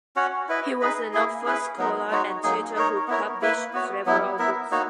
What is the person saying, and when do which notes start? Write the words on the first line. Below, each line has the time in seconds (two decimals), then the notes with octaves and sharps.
He was an Oxford scholar and tutor who published several books.
0.16 C#4 F#4 C#5 F#5
0.49 E4 B4 D#5
0.81 D#4 G#4 B4 D#5
1.13 A#3 E4 G#4
1.45 C#4 E4 G#4 B4
1.78 F#3 B3 D#4 A#4
2.10 G#3 D#4 F#4 C#5
2.43 F#3 A#3 D#4 G#4
2.76 D#4 A#4 C#5
3.08 B3 E4 A#4 C#5
3.41 A#3 E4 B4
3.73 B3 F#4 C#5
4.06 F#3 B3 E4
4.39 B3 E4 A#4 E5
4.71 A#3 D#4 F#4 C#5